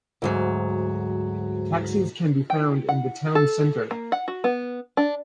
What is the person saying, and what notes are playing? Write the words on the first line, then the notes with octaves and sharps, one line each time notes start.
Taxis can be found in the town centre.
D2 G#2 F#3
G5
F#5
A4
A#3
F#5
F#4
B3
D4